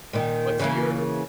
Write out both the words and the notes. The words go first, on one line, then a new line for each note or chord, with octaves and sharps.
What's your
A#2 D#3
C#3 E3 A#3